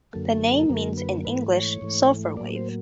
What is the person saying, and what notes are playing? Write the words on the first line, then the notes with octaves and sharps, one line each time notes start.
The name means in English: "sulphur wave".
F#2 D3 F#3 A#3 A4
A4
A4
F#2 D3 F#3 A#3 A#4
B4
G#2 E3 A3 B4
C#5
G#2 E3 A3
A2 F#3 A#3 D5
C5